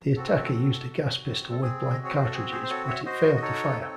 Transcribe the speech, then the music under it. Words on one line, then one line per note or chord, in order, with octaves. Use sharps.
The attacker used a gas pistol with blank cartridges but it failed to fire.
C4 F#4 A4
F#4
F#4
C4
A4
C4 G#4
F#4 D#5
C#5
C5
A4
C4 G#4
G#4 C5
C5
F#4 A4 C#5
C#5 E5
F#4 C5 D#5
D#5
D#4 A4 C#5
C4